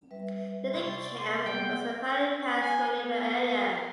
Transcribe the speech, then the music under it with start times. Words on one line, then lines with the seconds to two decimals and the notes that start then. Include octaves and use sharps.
Near the camp was the Palen Pass Maneuver Area.
0.11 G3 B4 E5
0.74 C3 G3 E4 D5 C6 C#6
1.46 G3 G#3 A#3 B3 F#5 G5
2.24 C#4
2.60 G#5
2.94 B3
3.60 A#4